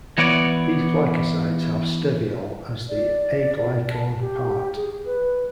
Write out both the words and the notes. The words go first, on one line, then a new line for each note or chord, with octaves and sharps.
These glycosides have steviol as the aglycone part.
E3 B3 C#5 D5
D5
A5
G4
G#4
B4